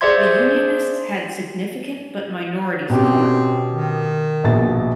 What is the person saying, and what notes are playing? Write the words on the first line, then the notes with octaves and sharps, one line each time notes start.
The Unionists had significant but minority support.
G#4 C5 D5 E5 C6 G#6
B2 C4 C#4 G4
D#3
A#1 B2 A6